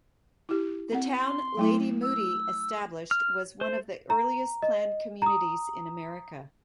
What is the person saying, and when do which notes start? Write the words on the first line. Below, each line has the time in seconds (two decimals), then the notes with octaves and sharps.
The town Lady Moody established was one of the earliest planned communities in America.
0.49 E4 G4
0.92 C4 F#5
1.19 C6
1.57 F#3 A3 E4
2.02 E6
3.11 F6
3.61 C5
4.10 A#5
4.62 D#5
5.22 A#5 D#6